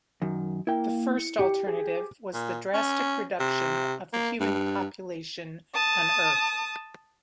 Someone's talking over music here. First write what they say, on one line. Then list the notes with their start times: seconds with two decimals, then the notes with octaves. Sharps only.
The first alternative was the drastic reduction of the human population on Earth.
0.22 F#2 D#3
0.67 A#3 E4 G5
1.17 C#7
1.39 G4
1.67 G#4
2.34 A#2
2.74 C#4
3.40 C3
4.13 A#3
4.40 G2
5.75 A5 D#6